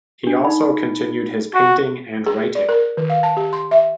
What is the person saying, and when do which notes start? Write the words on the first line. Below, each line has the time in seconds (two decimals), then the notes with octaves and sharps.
He also continued his painting and writing.
0.24 D4 G4
0.45 D#4 B5
1.55 F#4
2.27 G#4
2.55 D5
2.69 A#4
2.97 D#3
3.10 F5
3.23 A5
3.37 G4
3.53 C6
3.71 E5